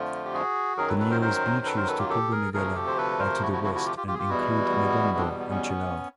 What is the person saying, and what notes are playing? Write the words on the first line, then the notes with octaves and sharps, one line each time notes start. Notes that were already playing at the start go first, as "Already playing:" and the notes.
The nearest beaches to Kurunegala are to the west and include Negombo and Chilaw.
Already playing: F2 D3 F3 A3 F4
G4
F#4 G#4
F#2 D#3 F#3 G#4 A#4
A4 B4
A4 B4
A#4 C5
A#4 C5
A4 B4
A#4 C5
A4 B4
F4 G4
G4 A4
G#4 A#4
D2 C3 F3 A3 G#4 A#4
G4 A4
C5
A4 B4
A#4 C5
E4 F#4
E4 F#4
E4 F#4
E4 F#4
F4 G4
F4 G4
F4 G4
G#4
F4 G4
E2 B2 G3 B3 E4 F#4
C4 D4
B3
B3 C#4